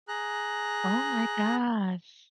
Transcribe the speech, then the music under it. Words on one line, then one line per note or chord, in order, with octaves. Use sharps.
Oh my gosh.
G#4 A#5 F#6